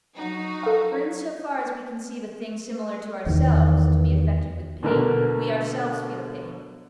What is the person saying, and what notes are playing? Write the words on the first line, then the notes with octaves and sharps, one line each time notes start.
For in so far as we conceive a thing similar to ourselves to be affected with pain, we ourselves feel pain.
F#3 D#4 F#4
A4 F5
E2 D#3
B2 D3 A#4